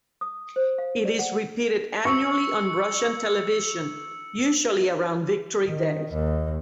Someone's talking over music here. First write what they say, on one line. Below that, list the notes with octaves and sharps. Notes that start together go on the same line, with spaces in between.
It is repeated annually on Russian television, usually around Victory Day.
D#6
C5
F5
D5
F#5
C#6 E6 C#7
D#3
D#2